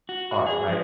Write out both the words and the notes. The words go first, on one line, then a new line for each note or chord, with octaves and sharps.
art, right?
F#4
F#4
G#4
F3